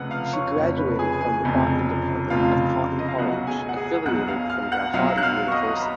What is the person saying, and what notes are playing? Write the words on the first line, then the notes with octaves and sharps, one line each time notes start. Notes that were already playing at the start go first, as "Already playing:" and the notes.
She graduated from the Botany Department of Cotton College affiliated from Gauhati University.
Already playing: F1 F2 C#3 B4 F#5 F#6
F5 F6
C#5 C#6
F1 F2 C#3
B4 B5
G#4 G#5
G#4 G#5
F1 F2 C#3
F1 F2 C#3 F4 F5
D#5
F5
B1 B2 F#3 F#4 F#5
G#4 G#5
F#5
G#4 G#5
B1 B2 F#3 F#5 F#6
F5 F6
F5 F6
F#5 F#6
B1 B2 F#3 F5 F6
F#6
F5 F6
C#6
D#5 D#6
A#5
B5